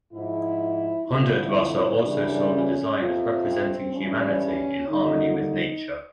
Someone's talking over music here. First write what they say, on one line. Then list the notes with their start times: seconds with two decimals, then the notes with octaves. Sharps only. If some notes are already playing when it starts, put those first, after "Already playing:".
Hundertwasser also saw the design as representing humanity in harmony with nature.
0.13 G#2 F3 E4
1.08 F2 D3 G3 E4
2.03 F#2 C#3 E3 G3 D4
2.50 C#4
2.98 F2 C3 F3
3.46 C4
3.93 G2 E3 G3 C#4
4.88 D#2 D3 G3 D#4
5.36 D#4